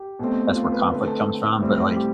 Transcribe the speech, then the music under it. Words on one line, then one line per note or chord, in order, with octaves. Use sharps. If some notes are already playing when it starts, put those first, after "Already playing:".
that's where conflict comes from, but like
Already playing: G4
B2 A3 C4
F4
B4
D3 A3 C4 B4
A4
A2 G3 C4
G4